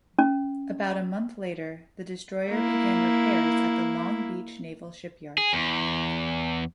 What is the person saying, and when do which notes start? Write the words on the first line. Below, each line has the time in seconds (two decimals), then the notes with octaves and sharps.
About a month later, the destroyer began repairs at the Long Beach Naval Shipyard.
0.19 C#4
2.49 A#3 E4
5.38 G#4
5.53 E2